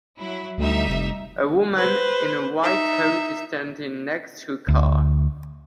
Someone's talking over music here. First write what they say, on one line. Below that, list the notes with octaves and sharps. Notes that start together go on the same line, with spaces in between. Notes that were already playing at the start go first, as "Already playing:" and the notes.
A woman in a white coat is standing next to a car.
F#3 E4
D2 G3 D#4 E5
F1
B4 C5
D#4 E5
D2